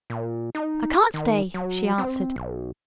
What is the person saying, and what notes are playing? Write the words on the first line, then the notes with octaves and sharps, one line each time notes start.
"I can't stay," she answered.
A#2
D#4
D#3
F#3
C4
B1